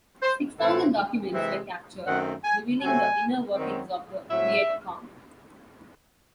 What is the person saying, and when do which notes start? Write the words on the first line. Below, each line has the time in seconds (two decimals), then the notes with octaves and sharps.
Six thousand documents were captured, revealing the inner workings of the Viet Cong.
0.22 C5
0.59 A2 E3 C4 A4
1.33 C3 E3 G#3 C4 E5
2.06 F#2 D#3 A3 C4 F#5
2.44 G#5
2.80 C3 F#3 A3 C4 G#5
3.55 F#2 D#3 F#3 C4
4.28 A2 F#3 C4 E5